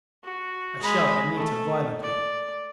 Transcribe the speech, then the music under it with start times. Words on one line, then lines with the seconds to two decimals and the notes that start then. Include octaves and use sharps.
I shoved Anita violently.
0.24 F#4
0.82 G#3 B5
1.35 A3
2.02 D5